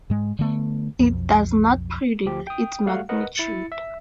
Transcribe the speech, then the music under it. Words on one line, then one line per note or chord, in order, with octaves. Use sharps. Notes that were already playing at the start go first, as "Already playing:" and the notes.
It does not predict its magnitude.
G#2 G#3
D3 A3 B3
B1 F2
D2 F3 G4
G5 D#6
G3 A3 F#4 F5 F#5
A#4 B4 D#5 F#5
E4 A6 C#7
E5